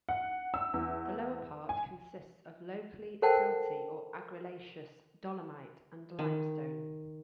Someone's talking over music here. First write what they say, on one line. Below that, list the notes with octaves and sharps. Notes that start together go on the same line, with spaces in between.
The lower part consists of locally silty or argillaceous dolomite and limestone.
F#5
E6
E2
G#5
A4 A#4 C5 F#5 G5 A5
D#3